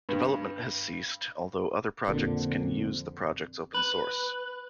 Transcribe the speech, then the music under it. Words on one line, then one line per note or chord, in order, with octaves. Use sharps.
Development has ceased, although other projects can use the projects open source.
G2
F2 A#2 D3 C4
B4